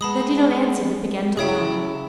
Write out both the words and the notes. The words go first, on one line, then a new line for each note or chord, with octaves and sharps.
They did not answer but began to laugh.
G#3 B3 A5 B5 D#6
C#3 E4 G#4 A4 C#5 G5